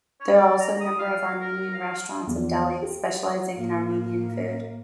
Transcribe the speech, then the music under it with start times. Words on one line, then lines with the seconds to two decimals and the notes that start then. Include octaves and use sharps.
There are also a number of Armenian restaurants and delis, specializing in Armenian food.
0.21 C#5
0.35 D5
0.60 A#5
0.81 D#6
0.99 F5
1.41 A#4
1.74 F5
2.27 E2
2.82 G4
3.55 A2 A#3